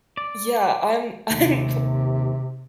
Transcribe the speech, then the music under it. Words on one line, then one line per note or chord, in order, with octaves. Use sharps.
Yeah, I'm I'm
D5
D#2 C3